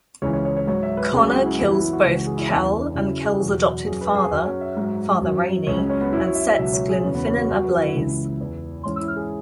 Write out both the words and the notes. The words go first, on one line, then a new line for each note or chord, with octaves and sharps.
Connor kills both Kell and Kell's adopted father, Father Rainey, and sets Glenfinnan ablaze.
C#2 C#3 E3 C#5
C#5
C#5
C#5
G#2 F#3 C#5
E5
B4
C#2 C#3 F#3 G#4
F#4
E4
F#2 E3 B3
E4
E4
F#4
C#2 C#3 E3 G#4
F#4
G#4
E4
E2 E3 C#4
F#2 C#3 F#3 E4
G#4
E2 B2 F#3 F#4
F#2 F#3 G#4
B4
G#4
F#2 F#3 F#4
C#4
E5
G#2 F#3
F#2 F#3
C#2 C#3 F#3 C#5
C#4
C#4
B3
F#2 F#3 E4
C#5
E5
C#5
C#2 B2 F#3 E5
C#5
G#4
E2 C#3 F#3 C#4
B3
C#4
F#4
F#2 F#3 F#4
B4
E4
C#2 C#3 E3
E2 E3
G#2 E3 C#4
E4
G#4